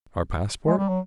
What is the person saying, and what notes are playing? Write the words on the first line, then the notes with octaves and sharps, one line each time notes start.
"Our passport?"
G#3
G3
F#3